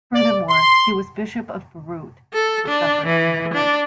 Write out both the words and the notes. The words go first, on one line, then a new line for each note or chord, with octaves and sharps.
Furthermore, he was Bishop of Beirut and suffered for the faith.
D5
C6
A4
D4
E3
D4